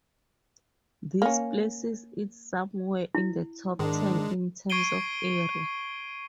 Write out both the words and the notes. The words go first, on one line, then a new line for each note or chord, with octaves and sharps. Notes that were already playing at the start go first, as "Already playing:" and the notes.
This places it somewhere in the top ten in terms of area.
A#3 C#4
E4
G#2 D#3 G#3 D4
C#6 G#6 C7 D7 D#7 G7